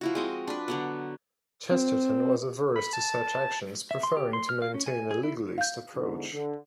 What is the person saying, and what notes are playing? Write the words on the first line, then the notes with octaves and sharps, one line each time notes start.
Chesterton was averse to such actions, preferring to maintain a legalist approach.
F3 E4 F#4
G#3 C4 D#5
D4 B4
D3 F#3 B3
C4
B5
A5
E5
C6
G4
C6
F6
F5
C#4
G#5
G#4
E4
F5 G6
E2 G#2 D3
D3